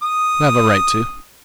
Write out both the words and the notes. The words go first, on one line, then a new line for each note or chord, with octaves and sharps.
You have a right to.
D#6